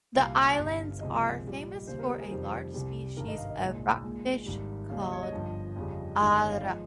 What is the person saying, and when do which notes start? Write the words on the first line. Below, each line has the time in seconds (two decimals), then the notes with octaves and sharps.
The islands are famous for a large species of rockfish, called "Arr-a".
0.15 C2 A#2 G3 F5
0.58 G1 G2 G3
1.01 C#2 C3 F3 G#3 D#5
1.44 A#1 A#2 G3
1.87 D#2 C#3 G3 C5
1.99 A#4
2.09 G4
2.20 G#4
2.31 F2 C3 D#3 G3 C5
2.74 C2 C3 G3
3.17 G#1 G2 D#3 G3 A#4
3.28 D#5
3.38 F5
3.50 D#5
3.61 C2 A#2 G#3
4.03 A#1 A#2 G#3
4.46 G#1 G#2 G3
4.90 D#2 C#3 G3 F5
5.00 D#5
5.12 C#5
5.23 D#5
5.32 G1 G2 F3
5.76 F2 C#3 G3
6.20 G1 G2 D#3 G3 D#5
6.30 D#5
6.41 C#5
6.52 F5
6.62 F3 G#3 D#5